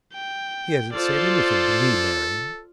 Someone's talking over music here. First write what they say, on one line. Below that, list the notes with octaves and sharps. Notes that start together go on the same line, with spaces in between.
'He hasn't said anything to me, Marian.'
G5
F4 A4 C5 D5